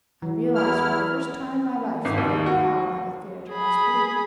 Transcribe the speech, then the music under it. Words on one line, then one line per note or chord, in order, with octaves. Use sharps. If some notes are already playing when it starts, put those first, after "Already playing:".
I realised for the first time in my life the great power that the theatre must be.
E3
E2 E4 F6
G#1
D#2
F#4
G#4 B5